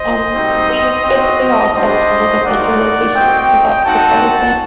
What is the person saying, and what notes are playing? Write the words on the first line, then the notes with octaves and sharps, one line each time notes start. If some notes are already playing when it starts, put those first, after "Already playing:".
um, leaves basically all stemming from, like, a center location. Is that the spider plant?
Already playing: C5 D#5
G3 C4 D#4 F#4
C4 F#4
G3 D4 F#4 C5 D#5
A#3 D#4 F#4 D5 F#5
C4 F#4 D#5 G5
C4 D#4 F#4 F#5 A5